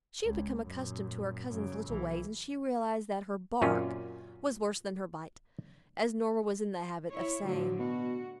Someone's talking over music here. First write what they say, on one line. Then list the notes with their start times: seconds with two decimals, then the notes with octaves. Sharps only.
She had become accustomed to her cousin's little ways, and she realized that her "bark was worse than her bite," as Nora was in the habit of saying.
0.24 C#2
0.66 F#2 A#2
1.48 F#2 C#3
1.86 B1 E3
3.62 F#2 A#2 C4 C#4 F4
7.10 E4 C#5
7.45 A2 D3 F3 F#3
7.79 B2 F#4